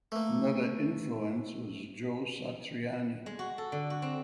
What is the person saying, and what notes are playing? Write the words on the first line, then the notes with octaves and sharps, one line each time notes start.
Another influence was Joe Satriani.
A3 A#3
G#3
F#4
A4
D3
F#4
C4